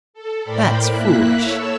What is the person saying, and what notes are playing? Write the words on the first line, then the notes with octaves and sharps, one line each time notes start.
"That's foolish."
A4
A2 A#4 C5 D5 G5 B5
A#3 E4 F#6 B6
A4 C#5 E6